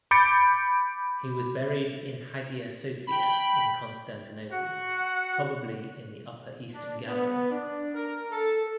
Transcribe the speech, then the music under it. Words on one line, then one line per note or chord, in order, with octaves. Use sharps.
He was buried in Hagia Sophia in Constantinople, probably in the upper Eastern gallery.
B5 D6 G6 A6 C#7 D7
G5 B5
F#4 F#5
D4
B3
D4
A#4
A4